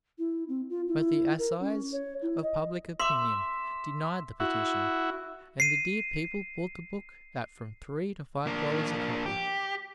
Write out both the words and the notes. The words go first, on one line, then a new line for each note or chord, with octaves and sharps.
But the Assize of Public Opinion denied the petition, and the dear people bought the book at from three to five dollars a copy.
E4
C4
F4
E4
A#4
C#4
C#5
E4
D#5
E5 C6 D6
E4 F#4
C7 D#7
A#3 D4
G4